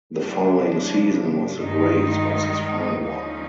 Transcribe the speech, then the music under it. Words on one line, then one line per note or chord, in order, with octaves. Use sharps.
The following season with the Grays was his final one.
F#2 C#3 F3 D4
G2 D#3 G#3 D#4
D#2 D3 F3 G#3 C#4 D#4